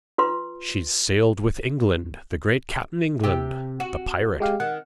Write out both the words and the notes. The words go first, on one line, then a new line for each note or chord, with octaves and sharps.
She's sailed with England, the great Cap'n England, the pirate.
F4 B4 C6
C3 G4
F#4
G#3 G4 F5
D#3 F#5